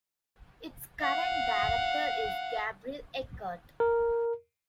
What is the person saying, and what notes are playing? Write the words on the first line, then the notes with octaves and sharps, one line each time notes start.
Its current director is Gabriel Eckert.
F5 F#5
A#4